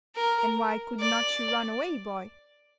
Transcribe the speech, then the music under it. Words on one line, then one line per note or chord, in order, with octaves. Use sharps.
'And why could not you run away, boy?'
A#4
D5